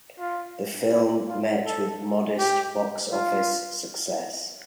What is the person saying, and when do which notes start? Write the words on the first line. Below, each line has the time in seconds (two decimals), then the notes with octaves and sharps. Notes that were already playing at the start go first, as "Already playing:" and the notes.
The film met with modest box office success.
0.19 F4
0.92 E4
1.28 F4
1.66 A4
2.38 G4
3.12 F4